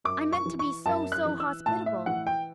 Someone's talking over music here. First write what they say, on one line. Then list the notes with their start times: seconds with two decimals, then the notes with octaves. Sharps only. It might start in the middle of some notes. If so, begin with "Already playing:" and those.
I meant to be so--so--hospitable.
0.04 F#2 D6
0.33 C#6
0.46 E3
0.59 C#6
0.86 F#2 A5
1.12 F#6
1.25 E3
1.40 E6
1.66 A2 A5
1.86 E5
2.06 E3 F#5
2.27 G5